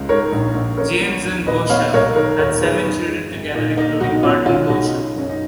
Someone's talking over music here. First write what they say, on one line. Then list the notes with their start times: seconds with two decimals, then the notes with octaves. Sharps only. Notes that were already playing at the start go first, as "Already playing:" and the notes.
James and Boucher had seven children together, including Barton Boucher.
Already playing: C#2
0.09 G#2 A#4 C#5
0.32 A#1
0.55 A#1
0.77 C#3 A#4 C#5
1.01 B3
1.24 D#2
1.47 A#2 B4 D#5
1.70 B3 C#5 F5
1.94 B1 A#4 C#5
2.16 D#3 A#4 C#5
2.39 D#2 A#4 C#5
2.62 D#2 G#4 B4
2.85 F#2 D#4
3.08 G#3
3.31 G#1
3.54 A#2 D#4
3.77 A#3 D#4
4.00 B1 D#4 F#4
4.23 B2 C#4 F4
4.46 B1 C#4 F4
4.69 B1 D#4 F#4
4.93 C#3
5.16 F#2 C#4
5.29 D#4